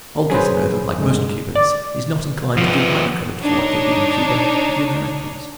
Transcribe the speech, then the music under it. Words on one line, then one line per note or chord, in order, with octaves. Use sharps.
Old Casanova, like most Cubans, is not inclined to give much credit for what they did in Cuba to the Americans.
F#3 C#4 G#4 B4 C5
G2 D3 G#3
D5
F3 B3
D4 D#4 C#5